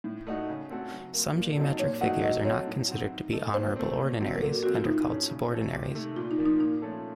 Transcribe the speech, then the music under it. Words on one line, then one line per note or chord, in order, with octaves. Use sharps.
Some geometric figures are not considered to be "honourable ordinaries" and are called "subordinaries".
A2
A3 D#4 F#4
C#3
A3 C4 F#4 A4
F#3
A#3
F4
A#2
F#3 C4 D#4 A4
A#2 C#5
F#3 A3 D#4 F#4 F#5
F#3 D#5
C4 F#4 A4 C#5
A2
F#3 C4 F#4
D#3
A3 D#4 A4
A#2 C5
A3 C4
A#2
F#3 C4
A#4
A#2 A4
F#4
F3 C4 F#4
F4
A2 D#4
A3 C#4
C#3
A3 C#4 A4
C3
D#3 A3
A#2 F4
D#4
F3 A#3
D#4
A#2 D#4
F3 A3 C#4 A4